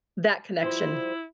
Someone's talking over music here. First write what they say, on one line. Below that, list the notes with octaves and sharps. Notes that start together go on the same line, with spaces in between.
that connection,
F3 G3 E4 C5